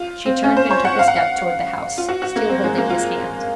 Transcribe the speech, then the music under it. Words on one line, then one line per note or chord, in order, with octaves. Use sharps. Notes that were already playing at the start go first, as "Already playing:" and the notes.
She turned and took a step toward the house, still holding his hand.
Already playing: F4
C4
C#4
C5
C#5
F#5
F5
F#5
F5
F4
F#4
F#4
A#3
C4
G#3
A#3
F4